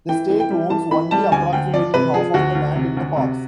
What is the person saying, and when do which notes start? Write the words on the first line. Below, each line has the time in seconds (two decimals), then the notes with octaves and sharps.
The state owns only approximately half of the land in the parks.
0.09 E3 G5
0.30 E3
0.40 G5
0.50 G3
0.70 E3 A5
0.91 E3 B5
1.11 G3 A5
1.31 D2 G#5
1.53 D2 G5
1.74 F3 D5
1.94 C3 B4
2.14 F3 G#4
2.34 D2 F#4
2.55 D2
2.75 C3
2.97 D2
3.16 C3